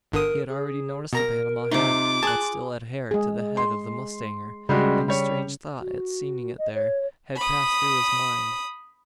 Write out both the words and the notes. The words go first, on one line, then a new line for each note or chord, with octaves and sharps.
He had already noticed the Panama hat, that still adhered to the head of the mustanger; and a strange thought at seeing it there, had passed through his mind.
G1 D3 A#4 D#6
G#4
B2 A#4 A#5 A#6
C3 D#4 F4 D6
G#4 A5 F#6
G#3 G#4
C6
C#3 G3 G#3 F#4
G3 C#5
F#4
D#5
C#5
B5 D#6